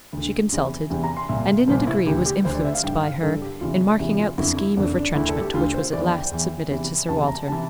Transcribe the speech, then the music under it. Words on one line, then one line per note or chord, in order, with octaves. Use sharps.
She consulted, and in a degree was influenced by her in marking out the scheme of retrenchment which was at last submitted to Sir Walter.
D2
D3
E2 C3 E3
E2 C3 E3 G5
A#5
C6
C2 A#2 E5
C2 A#2 C5
E4
D2 D3 G4
G4
D2 D3 C5
D5
E5
F5
G2 D3 G5
F5
G2 D3 A4
G4
E2 C3 E3 F4
D4
E2 C3 E3 E4
F4
F2 D3 E4
E4
F2 D3 D4
D4
D2 D3 E4
A4
G4
D2 D3 F4
C5
E2 E3 D5
G5
E2 E3
E2 C3 E3
E2 C3 E3 A5
A#5
C3 E3 A5